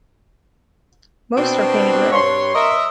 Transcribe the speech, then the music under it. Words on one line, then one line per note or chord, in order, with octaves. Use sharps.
Most are painted red.
B2 C4 D4
G2 C#5 C6
A#4 D#5 E5